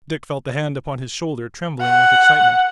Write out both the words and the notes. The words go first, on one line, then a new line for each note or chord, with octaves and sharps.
Dick felt the hand upon his shoulder trembling with excitement.
F#5